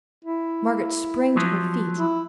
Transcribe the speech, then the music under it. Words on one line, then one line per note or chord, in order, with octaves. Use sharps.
Margaret sprang to her feet.
E4
F3 F#3
E4